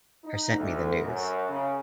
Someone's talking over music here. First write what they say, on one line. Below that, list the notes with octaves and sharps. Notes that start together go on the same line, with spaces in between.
Her sent me the news.
D#4
D2
F#2
C#3